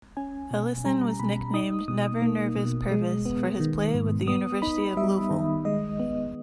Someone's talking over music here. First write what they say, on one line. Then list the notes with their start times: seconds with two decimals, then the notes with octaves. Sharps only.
Ellison was nicknamed "Never Nervous Pervis" for his play with the University of Louisville.
0.17 C#4 G#5
0.51 B2
0.85 G3 A#5
1.19 B2 B5
1.54 D#4 D#6
1.88 B2 D#6
2.22 A#3
2.56 B2
2.91 G#3
3.26 B3
3.60 D#3
3.94 G#2
4.28 B3 D#6
4.62 D#4 B5
4.97 G3 E5
5.31 D#3
5.65 G#3 D#5
6.00 B3